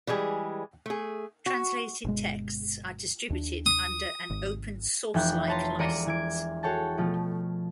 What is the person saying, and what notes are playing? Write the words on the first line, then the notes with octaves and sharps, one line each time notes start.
Translated texts are distributed under an open source-like licence.
E3 G3 G#3 G#4
A3 G#4
F#4
G1 B2 G#3
D#2 D4
D#6
G#1
F1 E3 G5 F#6
B4 C#5 A5 A#5 C6
E1 D5 A#5 C#7 D#7
E3 G#6 D7
F#4 G#4 A4 C#5 G5 A5
B2 F3 A3